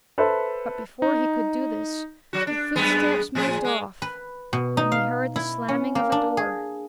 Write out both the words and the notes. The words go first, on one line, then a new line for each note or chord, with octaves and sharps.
But before he could do this the footsteps moved off and he heard the slamming of a door.
A4 B4 C5 E5
D#4
F#3 F#4
D4
F#2 G#3 B3
A2 F3 G#4
G#3
B4
B2
D#4
F5
E4
C#4
A#3
D4
G#4